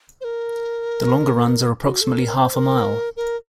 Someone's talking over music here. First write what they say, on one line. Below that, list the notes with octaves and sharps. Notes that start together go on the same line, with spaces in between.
The longer runs are approximately half a mile.
C5
A#4
F#4
A4
A#4
C5
C5
A#4
A#4